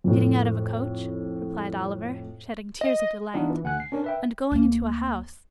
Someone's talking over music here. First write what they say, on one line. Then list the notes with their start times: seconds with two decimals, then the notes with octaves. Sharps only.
'Getting out of a coach,' replied Oliver, shedding tears of delight, 'and going into a house.
0.04 F2 A2
2.81 D#5
3.34 E3 B3 D4 D#4 F4
3.50 E3
3.64 D2 F#5 G#5 F#6
3.80 C7
3.92 C#4 D4 A#4
4.04 B4 E5 G5
4.52 D2 A#3